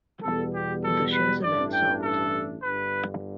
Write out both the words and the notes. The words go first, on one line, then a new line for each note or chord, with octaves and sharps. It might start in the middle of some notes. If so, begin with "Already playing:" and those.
The shares are then sold.
E2 B2 G3 B3 A4
G4
A4
B4
A1 G2 E3 A3 D4 D5
G5
A4
G1 G2 D3 B4